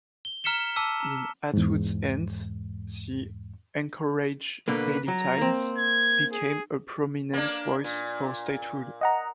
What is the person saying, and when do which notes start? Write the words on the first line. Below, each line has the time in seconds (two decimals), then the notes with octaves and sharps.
In Atwood's hands, the "Anchorage Daily Times" became a prominent voice for statehood.
0.25 G7
0.44 A#5 F6 B6 C#7 E7 G7
0.76 A5 D6 E6 B6
1.00 A#5
1.53 E2 G#2
4.68 B2 D3 A#3 B4
5.08 F#3 A#5
5.38 A#3 C4
5.78 G#6
6.33 G#4
7.33 A#3 D4
7.84 A#2
9.01 D#5 F#5 A#5